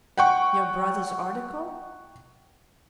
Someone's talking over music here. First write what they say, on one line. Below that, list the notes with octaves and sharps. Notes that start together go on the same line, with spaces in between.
Your brother's article?
F#5 G5 C#6